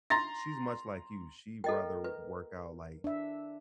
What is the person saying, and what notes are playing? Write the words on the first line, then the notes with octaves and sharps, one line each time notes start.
she's much like you, she'd rather work out like
A#5 C6 A6 A#6
A4 A#4 D#5 G5
B4
D4 E5